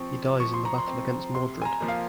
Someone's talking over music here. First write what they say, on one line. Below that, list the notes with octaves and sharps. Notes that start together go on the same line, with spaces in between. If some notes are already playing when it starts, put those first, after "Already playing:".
He dies in the battle against Mordred.
Already playing: F3 C4 C#6
F3 C#6
C6
A#5
C6
C4
C3 C6
G#5
A#5
F3 A#3
F5